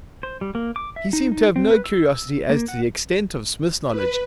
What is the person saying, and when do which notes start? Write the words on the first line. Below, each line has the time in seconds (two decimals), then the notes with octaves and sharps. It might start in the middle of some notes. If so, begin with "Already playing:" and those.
He seemed to have no curiosity as to the extent of Psmith's knowledge.
0.23 C5
0.41 G3
0.55 A#3
0.76 D6
0.96 E5
1.13 D#4
1.32 D#4
1.56 C4
1.71 B4
1.84 E6
2.50 A#3
2.68 F#5
3.86 B4